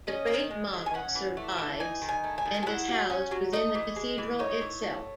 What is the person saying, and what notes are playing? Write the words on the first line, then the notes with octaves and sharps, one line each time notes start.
The Great Model survives and is housed within the Cathedral itself.
C#4 D#5
D#3
G#3
D#3
G#5
C#4 F#5
E3
A3
E3
D#4 G#5
D#3
G#5
A3
G#5
D#3
G#5
E4 F#5
F#3
C#4
F#3
D#4 D#5
E3
G#3
E3
D#4 C#5
E3
A3